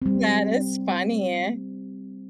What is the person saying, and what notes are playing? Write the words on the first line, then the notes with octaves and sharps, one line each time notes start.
Yeah, that is funny.
G3 C4